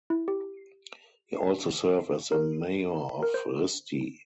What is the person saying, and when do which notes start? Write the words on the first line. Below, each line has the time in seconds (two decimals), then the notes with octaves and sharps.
He also serve as the mayor of Risti.
0.10 E4
0.28 G4
2.32 A#4
3.23 A#4
3.34 C5